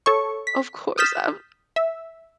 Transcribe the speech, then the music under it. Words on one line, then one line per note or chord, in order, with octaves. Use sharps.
of course, um
A4 C#5 C#6
B6
D#6 F6 G6 A6 B6 E7
E5